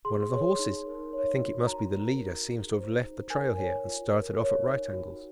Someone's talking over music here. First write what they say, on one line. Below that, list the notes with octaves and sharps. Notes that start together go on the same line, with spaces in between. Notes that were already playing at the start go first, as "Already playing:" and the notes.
"One of the horses, I think it must be the leader, seems to have left the trail here and started off at right angles."
G#4 C6
C#5
D#4
A#4
C#5
F#4
F#4 A#5
A#4
D#4
G#4
C5
D#4
A#4 G#5
C#5
F4
A#4
C#5
D#4
F#4